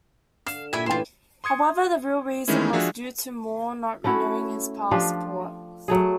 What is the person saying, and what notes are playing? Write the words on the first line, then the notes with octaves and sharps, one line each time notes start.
However, the real reason was due to Moore not renewing his passport.
D3 F5 E7
A#2 E4 G4 A4 E5 G#5 G#6
A2 C#3 E3 F4 G5 C6 E7
C6 D#6 G#6 C#7
D#3 E3 G#3 A3 C#4 E4
F3 D4 F4 F#4 G#4 E5
A3 C#4 E4 F#4
F3 D4 F4 G4
F#3 A3 G#4